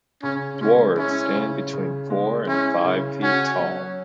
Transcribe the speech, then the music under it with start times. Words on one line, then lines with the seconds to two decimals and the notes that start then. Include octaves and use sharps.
Dwarves stand between four and five feet tall.
0.23 C#3 C#4
0.61 G#3 C#4
0.97 C#4 E4
1.35 C#3
1.73 C#3
2.10 G#3
2.47 C#4 E4
2.84 C#3
3.22 C#4 F#4
3.60 F#3